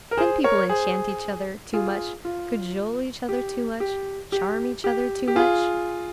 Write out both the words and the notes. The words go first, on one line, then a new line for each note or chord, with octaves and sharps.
Can people enchant each other too much, cajole each other too much, charm each other too much?
A#4
G#4 C5
A#4 C#5
G#4 C5
F4 G#4
F4
G4
G4
G4
G4
G4
F4 G#4